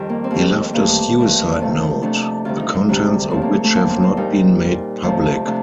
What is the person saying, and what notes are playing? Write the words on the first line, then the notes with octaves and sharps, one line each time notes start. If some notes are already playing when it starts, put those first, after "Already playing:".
He left a suicide note, the contents of which have not been made public.
Already playing: F2 D#3 G3
A#3
C4
F2 D#3 G3 A#3
G2 D#3 A3 A#3
G2 D#3 A3
F2 C3 F3 A3
F2 C3 F3 A3 D4
D2 C3 G3 F4
D#4
D4
D2 C3 G3 D4
A2 F3 A3 C4
A#3
A3
A3
A2 F3 A3 A#3
C4
C4
A#2 G3 D#4
A#2 G3
F2 C3 F3 A3
C3 F3 A3 D4